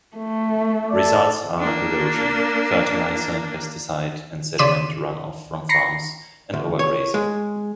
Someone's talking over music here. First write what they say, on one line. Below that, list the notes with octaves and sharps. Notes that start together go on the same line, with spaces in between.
Results are erosion; fertilizer, pesticide and sediment runoff from farms; and overgrazing.
A3
A4 D5 D6
A#3 D4
C#3 D5 C6 B6 D#7 E7
A#5 B5 A#6 C7 C#7
D2
C#5
G#3